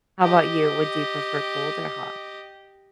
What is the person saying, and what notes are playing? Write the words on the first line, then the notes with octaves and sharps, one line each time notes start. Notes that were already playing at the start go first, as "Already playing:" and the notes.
How about you? Would you prefer cold or hot?
G4 D#5